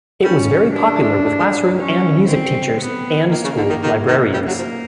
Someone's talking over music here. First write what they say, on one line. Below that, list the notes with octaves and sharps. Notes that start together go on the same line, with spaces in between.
It was very popular with classroom and music teachers and school librarians.
G3 C#4
G#3 D4
A3
G#3
A3
G#3
F#3
F3
E3 C#4
E3
C4
B3
D#3 A#3
C#3
D3
D#3
D#3
D#3
G3 A#3
F#3
F3